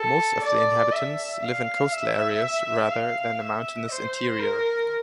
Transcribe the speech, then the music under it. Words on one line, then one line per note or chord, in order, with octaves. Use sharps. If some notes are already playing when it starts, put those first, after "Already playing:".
Most of the inhabitants live in coastal areas rather than the mountainous interior.
Already playing: A4
D5
E5
F5
E5
F5
E5
C5
A#4